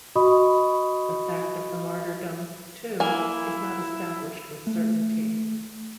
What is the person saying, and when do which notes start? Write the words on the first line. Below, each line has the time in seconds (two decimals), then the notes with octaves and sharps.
The fact of the martyrdom, too, is not established with certainty.
0.16 F#4 D#5 B5 C#6 D#6
3.00 A#3 E4 G#5
4.67 A3